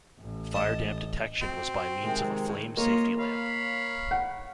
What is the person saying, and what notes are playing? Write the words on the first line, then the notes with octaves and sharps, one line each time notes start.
Firedamp detection was by means of a flame safety lamp.
A1
D#5 A5 D#6
C4 F#4
C3 D#3 G#3
A2
A#3 F4 C#5 D#5
C#5 F5 B5
F#5